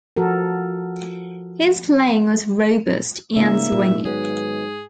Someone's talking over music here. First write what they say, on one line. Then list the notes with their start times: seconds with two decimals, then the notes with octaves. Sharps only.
His playing was robust and swinging.
0.16 F3 F#4 A4 A#4
3.36 G#2 C#3 G3 A#3 F4 E5
3.72 A#2
4.05 D#3 F#3 B3 G#4 B4